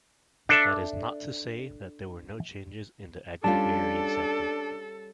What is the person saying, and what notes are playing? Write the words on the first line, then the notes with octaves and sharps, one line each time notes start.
That is not to say that there were no changes in the agrarian sector.
D4 A4 E5
G3 C#4 D4 F4 A4 A5